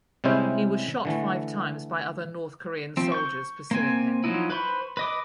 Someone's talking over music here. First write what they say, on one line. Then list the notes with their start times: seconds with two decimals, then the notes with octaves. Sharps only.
He was shot five times by other North Korean soldiers pursuing him.
0.24 C3 G3 G#3 C#4 E4 C5
1.05 D3 E3 A3
2.97 F3 C4
3.12 C#6 G6
3.71 A#3 C4 G#5
4.24 F3 F#3 B3 D#4 E4
4.50 B4 C5 B5 C#6
4.97 B4 D#5 D6